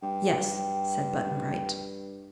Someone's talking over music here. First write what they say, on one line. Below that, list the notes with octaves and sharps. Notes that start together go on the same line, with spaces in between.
"Yes," said Button-Bright.
G2 G5